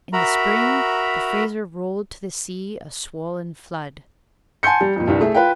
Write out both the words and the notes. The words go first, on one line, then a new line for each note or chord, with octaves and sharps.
In the spring the Fraser rolled to the sea a swollen flood.
F#4 A#4 E5 A#5 B5
F#5 G#5 A5 C6 G6 C#7
G3
F2 A#2
C2 G2
A3 G#4 E5
F4 B4 F5 G5